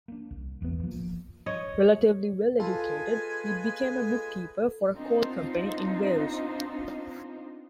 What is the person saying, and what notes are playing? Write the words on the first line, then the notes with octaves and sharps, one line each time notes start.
Relatively well-educated, he became a bookkeeper for a coal company in Wales.
A#3 D4
C2
F#1 E2 G#2 B3
F3 A#3
C#5 D#5
G#3 F4 A4 B4 G#5
B3 C4 D4 D#4 F4 C5